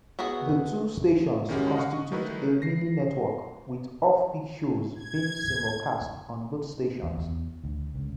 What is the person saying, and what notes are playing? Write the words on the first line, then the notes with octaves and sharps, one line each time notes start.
The two stations constitute a mini-network with off-peak shows being simulcast on both stations.
B3 E4 F#4 G#4
D#3 G#3 C#4 E4 F#4 G4
D#5 F5 F#5 C#6
D#3 A3 D#4 E4 B4
A#6 C7
G#6
E2
E2
D2
C#2